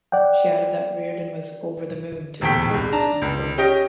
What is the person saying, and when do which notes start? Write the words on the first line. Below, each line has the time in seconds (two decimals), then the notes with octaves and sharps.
She added that Riordan was "over the moon" to be cast on the programme.
0.12 D5 F#5 G5
2.41 D#1 E2 A2 G5 B6
2.70 C2 G#3
2.92 D4 A5 A#5
3.22 C#2
3.58 C#4 G4 D#5 G5